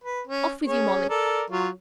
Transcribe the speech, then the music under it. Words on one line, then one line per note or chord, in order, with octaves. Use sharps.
Off with you, Molly.
B4
C#4
C#4 G#4 C#5
A4 A#4 D5
F#3 F4 C#5